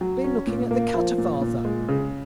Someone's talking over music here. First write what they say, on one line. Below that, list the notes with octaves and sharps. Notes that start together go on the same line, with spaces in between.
"Been looking at the cutter, father?"
F#3
C#4
A#2
A#3
F3
A#2
A#2
G#3
C#3